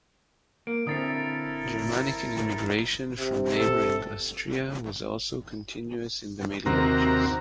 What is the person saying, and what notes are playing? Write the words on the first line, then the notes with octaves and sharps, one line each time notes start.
Germanic immigration from neighbouring Austria was also continuous in the Middle Ages.
A#3 D7
D3 C4 E4 A4 A#4 D#6 A6 C7
C3
A4
D#2 C3 C4 F#4 A#4 A#5